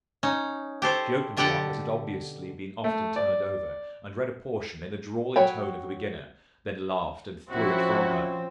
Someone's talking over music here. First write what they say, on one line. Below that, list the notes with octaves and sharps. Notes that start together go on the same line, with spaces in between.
She opened one that had obviously been often turned over, and read a portion in the drawling tone of a beginner; then laughed, and threw it from her.
C#4 D#4
G4 A4 C5 C#5
B2 D3 G4 A4 F#5 G5
A3
D5
F#3 F#4 C#5 G5 B5
F3 C4 C#4 E4 F#4 F#5